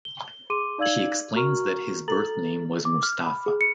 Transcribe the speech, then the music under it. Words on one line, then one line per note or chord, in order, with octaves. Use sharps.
He explains that his birth name was Mustafa.
G7
G#4 C6 D6 D#7
D#4 D5 F5 E6 G#6 F#7
F#4 A#4 A#5 C#6 F6
A4 A#5 A6 F#7
D6
F6
B5
G#4
C#7